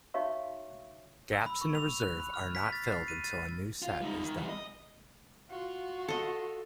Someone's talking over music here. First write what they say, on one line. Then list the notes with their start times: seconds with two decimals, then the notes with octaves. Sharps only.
Gaps in the reserve are not filled until a new set is dealt.
0.14 D#4 F#4 C#5 E5 F5 C#6
1.33 E6
1.46 B5
1.61 C#6
1.75 F7
2.00 F#6
2.20 B5
2.34 F6
2.55 B6
2.72 A6
2.84 C7
3.08 D#7
3.24 A6
3.83 F4
4.02 G3 D#4
4.24 D#3
4.37 E3 G3
4.49 D#5
5.50 F4 F#4
6.08 A4 D#5